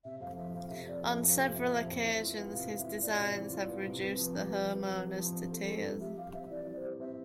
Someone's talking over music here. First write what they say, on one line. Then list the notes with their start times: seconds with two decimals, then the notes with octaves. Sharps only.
On several occasions, his designs have reduced the homeowners to tears.
0.04 C3 E5
0.21 F2 F5
0.37 F3 E5
0.54 F2 F5
0.70 C3 E5
0.87 F2 D5
1.03 F3 E5
1.21 F2
1.29 F5
1.37 C3
1.53 F2 E5
1.70 F3
1.87 F2
2.03 E3 E5
2.20 F4
2.37 B3
2.53 C3 F5
2.70 E3
2.78 E5
2.86 F4
3.02 B3 D5
3.19 C3
3.36 E3
3.53 F4
3.69 B3
3.86 C3
4.02 C4 B4
4.19 F3
4.35 G4
4.51 F3
4.68 C4
4.86 F3
5.01 G4
5.18 F3
5.35 C4
5.51 F3 A4
5.67 G4
5.84 F3
6.01 G3 E5
6.17 G4 F5
6.34 C4 E5
6.51 E3 D5
6.67 G3
6.76 C5
6.84 G4
7.00 C4 E5